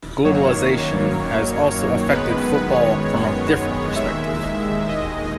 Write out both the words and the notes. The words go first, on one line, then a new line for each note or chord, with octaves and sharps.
Globalisation has also affected football from a different perspective.
F#2 D#3 F#3 A#3 C#5
F#2 D#3 G#3 B3 B4
B4
C#5
D#2 D#3 G#3 E5
D#5